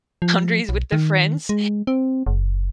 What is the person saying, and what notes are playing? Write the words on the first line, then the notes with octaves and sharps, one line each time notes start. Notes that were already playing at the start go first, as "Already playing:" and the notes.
boundaries with the friends.
F3
B1
D#3
G#3
C4
F#1